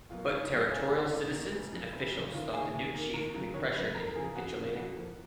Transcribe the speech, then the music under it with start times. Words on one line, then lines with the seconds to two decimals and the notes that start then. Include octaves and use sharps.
But territorial citizens and officials thought the new chief could be pressured into capitulating.
0.10 B2 F#3 A#3 F4
0.30 C#2 D#4
0.51 B2 F#3 A#3 F4
0.71 C#2 G#4
0.91 A#3 F4
0.96 B2
1.11 C#2 D#4
1.31 B2 A#3
1.52 F1
1.72 F2 C#3 F#3
1.93 F1
2.12 F2 C#3 F#3
2.33 D#2 F4
2.53 D#3 A#3 G#4
2.74 D#2
2.94 D#3 A#3
3.14 D#2 A#4
3.34 C#3 F#3
3.54 D#2 C#5
3.75 C#3 F#3 B4
3.95 F2 A#4
4.07 A#4
4.16 C#3 F3 G#4
4.35 F2 F#4
4.56 C#3 F3
4.76 F2 F#4
4.96 F3 A#3